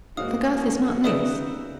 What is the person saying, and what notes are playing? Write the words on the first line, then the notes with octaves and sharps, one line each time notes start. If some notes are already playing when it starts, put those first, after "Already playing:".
"But the girth is not loose."
G#2 A#3 F#4 F5 D#6
A#3 C#4 F#4
C#3 D#4 B4 D5 E5 D#6 E7